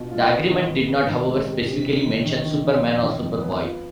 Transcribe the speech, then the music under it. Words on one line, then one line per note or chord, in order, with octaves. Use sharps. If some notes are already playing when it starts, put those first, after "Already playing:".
The agreement did not, however, specifically mention Superman or Superboy.
Already playing: B2 F4
F4
B3
D#3
D#3
B3
D#3
G#3
C3
C3
C3
D#3
D#3
D#3
D#3
F2
D#3
F2
B3
F4